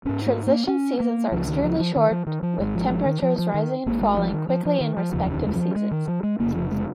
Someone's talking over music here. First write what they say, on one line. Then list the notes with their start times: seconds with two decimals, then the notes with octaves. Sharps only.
Transition seasons are extremely short, with temperatures rising and falling quickly in respective seasons.
0.05 G#1 G#2 C#4
0.26 A#3
0.47 A#3
0.68 C#4
1.00 A#3
1.31 C#2 C#3 F3
1.48 D#3
1.64 F3
1.80 F3
1.96 D#3
2.11 F3
2.26 D#3
2.43 F3
2.58 G#1 G#2
2.75 F3
2.90 F3
3.06 D#3
3.22 F3
3.38 F3
3.54 D#3
3.86 G#1 G#2 A#3
4.02 G#3
4.17 F3
4.33 D#3
4.49 F3
4.65 F3
4.81 D#3
4.97 F3
5.12 F1 D#2 C#3 F3
5.34 D#3
5.47 G#3
5.55 F3
5.76 G#3
5.91 D#3
6.08 F3
6.23 G#3
6.39 F1 D#2 C#3 A#3
6.55 F3
6.71 G#3